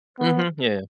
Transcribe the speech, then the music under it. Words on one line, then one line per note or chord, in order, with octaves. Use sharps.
Mhm, yeah.
B3